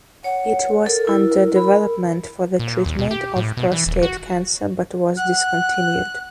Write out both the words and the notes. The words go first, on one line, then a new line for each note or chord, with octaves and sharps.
It was under development for the treatment of prostate cancer but was discontinued.
C#5 F#5
A4 A#4
E4
B5
A#2
D#2
B2
G4
A2
B2
E3
D#1
F#4
F#5 F#6